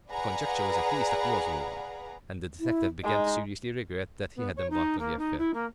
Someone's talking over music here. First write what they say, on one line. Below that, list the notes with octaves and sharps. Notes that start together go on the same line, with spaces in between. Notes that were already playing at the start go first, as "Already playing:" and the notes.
The conjecture was at least a plausible one, and the detective began to seriously regret that he had embarked on the affair.
G#4 B4 D5 F5 F#5 A#5
E4
G#3 D#4 D#5
B3
C#5
D#4
A#3
D#4
E4
A#3